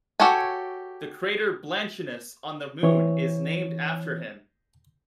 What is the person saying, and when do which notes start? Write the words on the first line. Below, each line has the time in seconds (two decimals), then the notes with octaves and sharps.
The crater Blanchinus on the Moon is named after him.
0.20 F#4 G4 A4 C#5 G#5
2.83 E3 C4 C#5